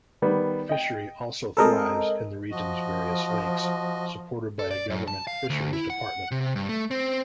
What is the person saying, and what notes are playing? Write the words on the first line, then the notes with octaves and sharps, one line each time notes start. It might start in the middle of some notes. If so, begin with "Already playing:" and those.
Fishery also thrives in the region's various lakes, supported by a government fisheries department.
D#3 G3 B3
D#5 G5
G#3 C4 A4 A#4 D#5 A5
F3 F#4 D#5
A4
D5
F#2
A5
F5
D2
E4
F#5
C3
G2
A3
C4